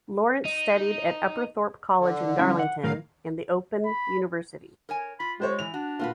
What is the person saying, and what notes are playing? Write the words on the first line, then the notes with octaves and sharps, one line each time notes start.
Lawrence studied at Upperthorpe College in Darlington, and the Open University.
D#4
D3
G3 C#4 E4
F#5
A2 D#3 F#3 A#4 F5
B5
A#4 C#5 G#5
F4 B5
G#3 G4 C5 C#5
G#2 E3 F7
D4 F#4
A#2 F4 F#4 B4 F5